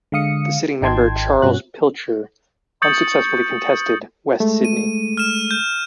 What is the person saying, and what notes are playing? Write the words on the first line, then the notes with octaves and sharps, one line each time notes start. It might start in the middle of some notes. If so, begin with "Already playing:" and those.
The sitting member Charles Pilcher unsuccessfully contested West Sydney.
D3 G#3 F5 D#6 C#7
G#1 D#4 G5 A5 C6 G#6
G2 B2 C#4 F#4 F#6
C#6 D#6 G6 A6 C#7 F#7
G#3 A3
D#7
F6 E7
G6